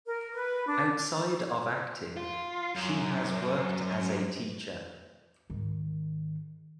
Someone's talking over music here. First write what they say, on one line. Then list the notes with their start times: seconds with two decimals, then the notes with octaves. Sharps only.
Outside of acting, she has worked as a teacher.
0.06 A#4
0.34 B4
0.67 D4
2.17 F4
2.76 F#2
5.50 G#2 D#3